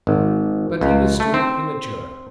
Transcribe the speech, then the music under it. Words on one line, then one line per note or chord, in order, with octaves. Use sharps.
But he was still immature.
G#1
C#2
A3
C4